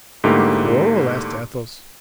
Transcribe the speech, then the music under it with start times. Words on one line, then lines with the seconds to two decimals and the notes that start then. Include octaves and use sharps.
"A quarrel?" asked Athos.
0.24 G#2 D3 A3 A#3 E4 G4